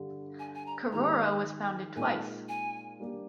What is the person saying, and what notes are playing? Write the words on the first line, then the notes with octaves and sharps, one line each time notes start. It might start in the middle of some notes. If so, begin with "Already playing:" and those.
Carora was founded twice.
Already playing: G2 D3 G3
G#5
G#5
A#5
G#2 D#3 G#3 D#4 G4 A#5
A#2 G#3 C4 D#4 A#4 G#5
G#5
G3 A#3 D4 G4